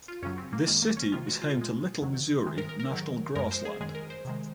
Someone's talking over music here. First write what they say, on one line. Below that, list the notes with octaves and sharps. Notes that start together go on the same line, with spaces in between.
This city is home to Little Missouri National Grassland.
F4
F#2 C#3 F#3 C#4
C4
A#3
F#2 D#3 G#3 A#3
A#3
C#4
C3 D#3 G#3 F4
F#4
F4
A#2 G#3
F2 D#3 F#3
C3 D#3 G#3
A#4
A#4
A#4
G#2 D#3 F#3
F#2 F3 G#3 A#4
C5
G#4
F#2 D#3 G#3 G#4
A#4
C5
C3 D#3 G#3